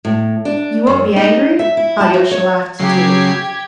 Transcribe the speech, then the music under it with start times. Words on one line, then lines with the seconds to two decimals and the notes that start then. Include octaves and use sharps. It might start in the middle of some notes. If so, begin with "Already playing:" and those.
"You won't be angry?" Alyosha laughed too.
0.05 A2
0.45 D4
0.87 F#2
1.16 D#4
1.59 E5
1.77 E4
2.01 A5
2.14 F#4
2.31 C#5
2.79 C#3 F#3 G4 G#6 C7